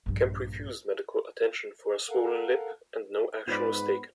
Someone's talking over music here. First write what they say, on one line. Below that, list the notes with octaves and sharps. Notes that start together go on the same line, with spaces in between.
Kemp refused medical attention for a swollen lip and no action was taken.
A#1 G2
A4 A#4 F5 F#5
G#2 B3 F4 B4 C5 D5